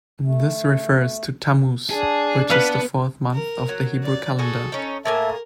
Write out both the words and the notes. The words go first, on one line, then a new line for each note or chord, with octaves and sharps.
This refers to Tammuz, which is the fourth month of the Hebrew calendar.
A3
D4 G#4 A5
B3 B4 F5
A#4
F#3
D5
F#4 G#4 A4
C#4 D#4
A2 A#3 A#4 E5 G#5 A5